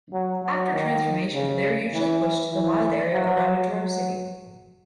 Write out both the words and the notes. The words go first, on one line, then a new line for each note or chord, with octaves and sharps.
After transformation, they are usually pushed to the wild area around a drow city.
F#3
F#3
D#3
C#3
E3
E3
F#3
F#3